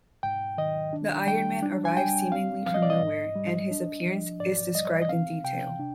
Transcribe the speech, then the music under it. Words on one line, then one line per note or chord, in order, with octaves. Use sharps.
The Iron Man arrives seemingly from nowhere, and his appearance is described in detail.
G#2 G5
D#3 D#5
D4
G3 G5
D4
G#5
G3 G5
C4 F5
F3 F5
D#5
D5
D#5
G#2
G3
D4
F3
G#2 D5
G3 D#5
D#5
C4 F5
C3 G5
D4